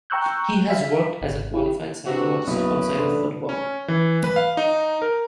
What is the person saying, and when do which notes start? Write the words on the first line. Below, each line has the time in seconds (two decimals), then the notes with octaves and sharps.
He has worked as a qualified psychologist outside of football.
0.10 G5 A#5 C#6 E6 F#6 G6
0.69 E5 F5 B6
1.22 G#1
1.54 E4 G4
2.06 C3 D4 E4 F#4 B4
2.47 F#1 B1 F#2 C#4 B4 E5 D#6
2.98 A1 D3 D5 C6
3.49 C#4
3.88 E3
4.24 B4
4.36 F5
4.57 D#4
5.02 A#4